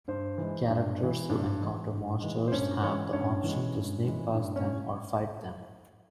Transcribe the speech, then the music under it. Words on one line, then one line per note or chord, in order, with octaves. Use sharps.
Characters who encounter monsters have the option to sneak past them or fight them.
G2 C5
E3 G#3
G2
E3 G#3
G2
E3 G#3
G2
E3 G#3
C5
G2 C#4 C#5
E3 G#3 C#4 C#5
G2 C#4 C#5
E3 G#3
G2
E3 G#3
G2
C#4 C#5